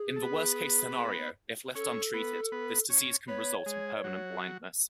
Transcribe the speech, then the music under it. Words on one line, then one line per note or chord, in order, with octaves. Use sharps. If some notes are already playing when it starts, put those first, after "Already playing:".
In the worst-case scenario, if left untreated, this disease can result in permanent blindness.
Already playing: G#4
A4
B3 B4
C#4 A4 C#5
B3 B4
B3 B4
C#4 C#5
B3 B4 C#5
G#3 G#4
F#3 F#4